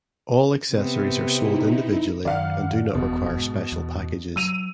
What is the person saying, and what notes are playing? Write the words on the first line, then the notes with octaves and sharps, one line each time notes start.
All accessories are sold individually, and do not require special packages.
C3 B3 C4
D#4 E4
F#2 D#3 D5 F5 F#5
F1 E2 B2
G#2
E2
F#3 E6 D#7 F7